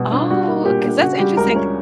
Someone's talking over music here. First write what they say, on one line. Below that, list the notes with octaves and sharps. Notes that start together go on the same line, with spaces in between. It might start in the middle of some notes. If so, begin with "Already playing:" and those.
Oh, 'cause that's interesting
Already playing: B2 G3 B3
D4
G3 F#4
A#3
A#2 G4
D4
C#3 F#4
G3 G4
C#2 A#4
C#4 C#5